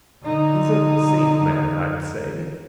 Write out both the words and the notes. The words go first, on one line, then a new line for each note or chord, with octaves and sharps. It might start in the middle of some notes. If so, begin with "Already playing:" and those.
He's a safe man, I'd say.
D3 D#4